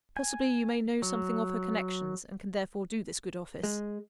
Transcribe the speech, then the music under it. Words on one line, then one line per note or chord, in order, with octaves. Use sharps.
Possibly, you may know something of her connections, and can therefore do this good office.
G#5
F#3
G#3